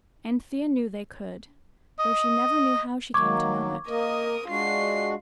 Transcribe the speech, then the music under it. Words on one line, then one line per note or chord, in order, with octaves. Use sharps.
Anthea knew they could, though she never knew how she came to know it.
D#5
D#3 F#3 A#3 C#6 D6 G#6
A#3 A#4 D#5 D#6
G#3 D4 F4 F#4 C7